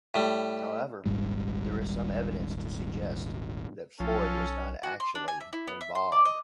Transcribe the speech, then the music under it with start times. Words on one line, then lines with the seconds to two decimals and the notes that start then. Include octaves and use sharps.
However, there is some evidence to suggest that Floyd was not actually involved.
0.14 A2 G3
1.06 D#1 G#1 G#2 G3
4.00 B1 F3 C#4 A4
4.83 F#4
5.00 C6
5.15 D4
5.28 G#5
5.40 E5
5.53 E4
5.67 B3
5.81 E5
5.95 C6
6.12 D5
6.25 D#5